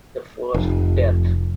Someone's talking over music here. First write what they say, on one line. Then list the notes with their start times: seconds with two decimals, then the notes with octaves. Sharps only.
The first death!
0.54 F1